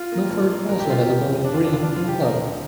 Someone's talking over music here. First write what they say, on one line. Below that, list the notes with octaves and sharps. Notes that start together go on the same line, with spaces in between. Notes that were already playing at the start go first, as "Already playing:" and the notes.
Milford also has a Bowling Green and club.
Already playing: F4
A#3
A#1
A#3
A#1 A#4
G4
A#2 F4
G4
F1
F2
F1 D4
F4
F1 D4
F4
F3 D4
F4
C3
G4
F3 A#4
D2